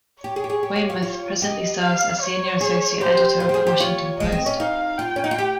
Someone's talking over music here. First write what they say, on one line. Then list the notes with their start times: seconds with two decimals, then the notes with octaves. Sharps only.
Weymouth presently serves as Senior Associate Editor of the Washington Post.
0.24 G4 C#5
0.36 G#4
0.44 G4
0.50 G#4
0.63 G4
0.76 G4
0.90 F4
1.02 F4
1.42 G4 D#5
1.81 F5
2.22 C#5
2.61 G#4
3.00 G4 C5
3.40 F4 C5
3.49 G4
3.54 G#4
3.67 G4
3.80 F4 C#5
4.20 G#3 D#5
4.32 C4
4.46 C#4
4.60 D#4 F5
4.98 F4 G5
5.16 C#4
5.24 D#4
5.31 F4
5.38 G4